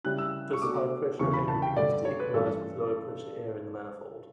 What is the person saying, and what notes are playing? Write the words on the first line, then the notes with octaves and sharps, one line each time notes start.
This high-pressure air begins to equalize with lower-pressure air in the manifold.
C#3 G3 C#4 E4 F#6
E6
C#6
B2 A3 D4 D6
E2 C#3 E3 C#6
B5
A5
G5
G2 D3 A3 D5
C#5
B4
G2 E3 A3 C#4 A4